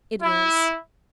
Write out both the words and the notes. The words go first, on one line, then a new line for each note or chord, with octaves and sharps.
"It is."
E4